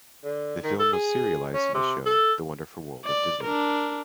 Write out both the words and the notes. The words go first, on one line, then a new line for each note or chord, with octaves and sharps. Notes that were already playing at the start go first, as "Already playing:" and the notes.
The film was serialized in the show "The Wonderful World of Disney".
D3
D#3
A4
G#4
C#4
C3
A4
D5
D4 A#4